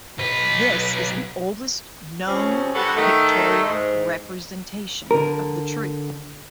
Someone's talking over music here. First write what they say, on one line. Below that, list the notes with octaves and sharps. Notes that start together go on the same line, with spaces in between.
This is the oldest known pictorial representation of the tree.
B1 B4
C#3 F3 G3 C4 C#4
D3 G3 B3 F#4 A4 F#5
D#3 A3
G#2
D3 A#4